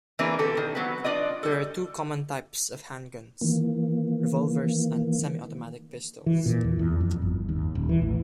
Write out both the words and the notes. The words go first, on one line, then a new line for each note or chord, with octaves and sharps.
There are two common types of handguns: revolvers and semi-automatic pistols.
E3 A#3 C4 D4 G#4 B4
B2 D3 G4 A4
D#3
F#3 B3 C4 B4
D4 F4 D5 D#5
G3 A4
D#3 E3 A#3
E3
A#2
E2
E2
F2
G1
D#2
D#1
E3
A1